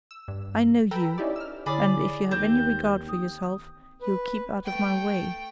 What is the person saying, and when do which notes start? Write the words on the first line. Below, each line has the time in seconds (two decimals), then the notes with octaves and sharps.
'I know you, and if you have any regard for yourself, you'll keep out of my way.'
0.11 E6
0.28 G2
0.91 A4 B4 G5 A#5 B5 E6
1.18 C#4 D#4 E4 G4 D5
1.36 E6 F6
1.66 D3 E4 G#4 C#5 D5 B5
2.31 D#2 C4 G6
3.08 D#6
4.01 B4
4.65 A3 G5